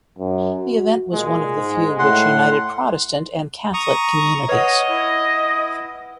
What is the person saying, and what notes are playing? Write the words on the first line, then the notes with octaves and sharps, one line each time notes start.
The event was one of the few which united Protestant and Catholic communities.
F#2
F#4
A#2 G#3
G#2
A2 F#5 C6
A#5 C#6 D#6
B4 C#5 D#5 F#5
E4